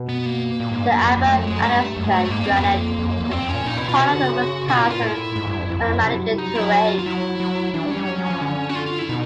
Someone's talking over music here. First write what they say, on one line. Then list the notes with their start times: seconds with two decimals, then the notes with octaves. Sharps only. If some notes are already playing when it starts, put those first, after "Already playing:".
The Amberg-Athelstane Granite is part of the Wisconsin Magmatic Terrane.
Already playing: B2
0.09 B3
0.26 A#3
0.60 A#2
0.72 G#2
0.83 G2
0.94 F#2
1.05 F2
1.17 F2
1.28 F#2 A3
1.40 F2 G#3
1.51 F#2
1.62 G2 A3
1.97 F#2
2.03 G#2 G#3
2.16 A3
2.30 G#2 A#3
2.41 G2
2.46 C4
2.52 F2 B3
2.64 A#3
2.98 F2
3.09 F#2
3.21 E2
3.31 F2 C4
3.43 F2
3.49 C#4
3.54 A#2
3.66 A#2 D#4
3.77 B2 E4
3.88 B2 F4
4.00 C3 F#4
4.11 D3
4.23 C#3
4.68 B2 F#4
4.75 F4
4.80 A#2
4.83 E4
4.86 B2
4.90 A#2 F4
5.01 A2 E4
5.36 G#2
5.47 G2
5.59 F2
5.69 F2
5.81 F2
5.92 F#2
6.04 C3
6.14 F#3
6.27 G3
6.38 F#3 D#4
6.55 F#3 E4
6.71 F#4
6.88 F4
6.99 F4
7.06 F#3 E4
7.40 F#3
7.74 E3 D4
7.85 G3
7.90 C#4
7.97 G3
8.07 F#3
8.18 F#3
8.30 F3
8.41 D3
8.69 F#4
8.75 F4
8.86 F4
8.99 E4
9.09 B2 D#4